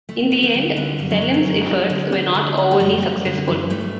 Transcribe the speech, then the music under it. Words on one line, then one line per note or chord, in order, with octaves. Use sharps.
In the end Selim's efforts were not overly successful.
D2 A3
D3 A3
A3
D2 G3
D3 G3
F#2 G3
F#3
D3
F#3
F#2
F#2
D3
D3
D3
D3
A3
F#2 G3
F#2
D3
F#2
G2 A3